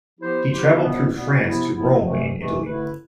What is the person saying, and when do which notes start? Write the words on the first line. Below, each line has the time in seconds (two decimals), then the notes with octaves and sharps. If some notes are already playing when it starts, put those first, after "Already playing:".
He travelled through France to Rome in Italy.
0.19 F3 B3 E4 G4 C5
0.50 F3 B3 E4 G4 C5
0.81 C2 B2 G3 B3
1.11 C2 B2 G3 B3
1.42 C3 F3 B3 E4
1.73 C3 F3 B3 E4
2.04 F2 C3 E3 A3
2.35 F2 C3 E3 A3
2.65 D3 A3 E4 B4